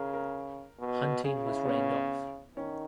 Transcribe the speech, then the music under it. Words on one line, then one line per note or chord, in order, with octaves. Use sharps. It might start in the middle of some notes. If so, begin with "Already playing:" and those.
Hunting was rained off.
Already playing: C#3 G#4 A#4
A#4
B2
C#3 G#4
E4
B3
C#4
D#3 C#4